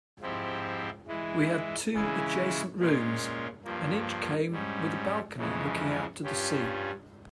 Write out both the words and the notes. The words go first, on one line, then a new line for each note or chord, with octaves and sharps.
We had two adjacent rooms, and each came with a balcony looking out to the sea.
G#2 F3 C4 E4 G4
E3 G#3 E4
C#3 E3 G#3 C#4 E4
A#2 G#3 C#4 F4
G2 F3 A#3
G#2 G3 C#4
F2 C#3 E3 G#3 C#4
G2 G3 C#4 F4